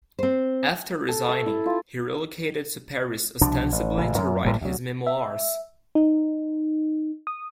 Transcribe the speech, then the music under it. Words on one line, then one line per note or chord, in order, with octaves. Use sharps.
After resigning, he relocated to Paris ostensibly to write his memoirs.
C4 C5
A4
E5
E4
F4
C2 B2 F3 D4
A1
A1 A#2 C#3
F#2
A1 A2 G3 A#3
D2 F#3
E5
D#4
D#6